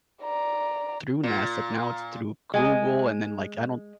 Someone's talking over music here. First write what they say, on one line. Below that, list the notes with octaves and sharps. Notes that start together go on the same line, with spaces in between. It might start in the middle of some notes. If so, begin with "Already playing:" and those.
through Nest, eh, now it's through Google, and then, like, I don't
D5 A#5
A#2
G#3 G#5